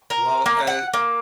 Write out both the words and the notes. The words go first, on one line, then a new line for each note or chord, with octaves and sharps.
Well, a
A#4
A#3
F#5
A#3